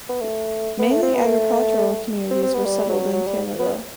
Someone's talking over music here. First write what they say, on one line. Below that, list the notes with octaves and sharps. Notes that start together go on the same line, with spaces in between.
Mainly agricultural communities were settled in Canada.
B3
A3
B3
A3
C4
B3
A3
C4
C4
B3
G3
F#3
F#3
G3
B3